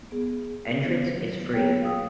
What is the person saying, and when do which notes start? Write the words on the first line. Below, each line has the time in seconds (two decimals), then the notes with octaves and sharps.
Entrance is free.
0.11 B3 G#4
0.83 D#3 B3 E4
1.06 F#3
1.53 A#3 B3 G#4 C#5 G5
1.82 F5 G5 D#6 E6